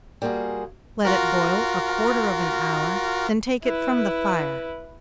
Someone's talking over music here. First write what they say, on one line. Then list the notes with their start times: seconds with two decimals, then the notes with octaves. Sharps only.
Let it boil a quarter of an hour, then take it from the fire.
0.22 G3 A#3 F4 F#4 G#4
1.05 F4 F#4 A#4
3.63 E4 B4